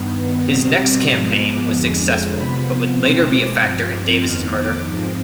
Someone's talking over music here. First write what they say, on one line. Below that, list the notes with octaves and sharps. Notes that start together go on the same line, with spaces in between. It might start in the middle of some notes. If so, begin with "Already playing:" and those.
His next campaign was successful but would later be a factor in Davis's murder.
Already playing: G2 D#3 B3
B2 G3 C4 D#6
D6
G#2 F3 G#3 B3 C6
D6
F2 D3 G#3
C3 F3 B3 B5
B2 G#3 C4 C6
D6
G2 F3 C4
D6
F2 D#3 B3 F6
D6
G#2 F3 C4